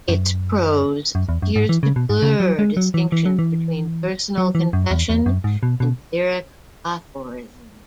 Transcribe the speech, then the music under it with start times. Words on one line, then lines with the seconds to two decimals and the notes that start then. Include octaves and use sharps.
Its prose appears to blur distinctions between personal confession and lyric aphorism.
0.08 F#2
1.15 F#2
1.29 E2
1.42 F#2
1.56 G#2
1.69 E3
1.83 C#3
1.96 B2
2.10 G#2
2.22 C#3
2.40 F#3
2.59 G#3
2.77 F#3
2.94 E3
3.12 E3
3.26 F#3
3.39 E3
4.38 F#3
4.55 E3
4.73 F#2
4.91 E2
5.09 E2
5.26 F#2
5.44 G#2
5.63 B2
5.80 B2